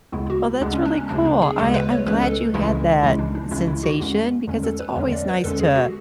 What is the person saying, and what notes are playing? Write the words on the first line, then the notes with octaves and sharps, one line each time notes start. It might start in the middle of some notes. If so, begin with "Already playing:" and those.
Well, that's really cool. I I'm glad you had that sensation because it's always nice to
D2 C#3 G#3 B3 E4
F#4
D2 C#3 G#3 B3 D4
C#4
D4
C#4
D2 C#3 G#3 B3 D4
D4
G#4
D2 C#3 G#3 B3 A4
B4
C#5
C#2 C#3 E3 G#3 C#4 B4
A4
C#2 C#3 E3 G#3 C#4 E4
C#2 C#3 E3 G#3 C#4 E4
D4
D4
C#2 C#3 E3 G#3 C#4 E4
E4
F#4
E2 D3 G#3 C#4
E2 D3 G#3 C#4
A4
B4
E2 D3 G#3 C#4 C#5
D5
B4
E2 D3 G#3 C#4 A4
G#4
F#4